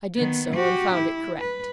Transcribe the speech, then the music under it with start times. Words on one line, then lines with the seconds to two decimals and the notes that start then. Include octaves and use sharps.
I did so and found it correct.
0.15 D#3 B3
0.53 F#4 G4
0.94 E4
1.40 B4